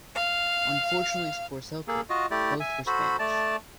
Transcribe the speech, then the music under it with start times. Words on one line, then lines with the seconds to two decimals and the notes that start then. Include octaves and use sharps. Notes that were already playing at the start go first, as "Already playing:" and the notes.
Unfortunately for Selkirk, both were Spanish.
0.14 F5
1.88 A#3 G#4 A4
2.09 F4 F#4 D#5
2.31 A3 E4 G4 D5
2.60 E5 G#5
2.87 F#4 A4 C5 B5
3.19 A3 D5 A5